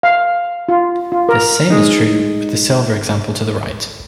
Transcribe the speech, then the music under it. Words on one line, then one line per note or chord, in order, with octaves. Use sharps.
The same is true with the silver example to the right.
F5
F4
F4
A#4
G#3 D#4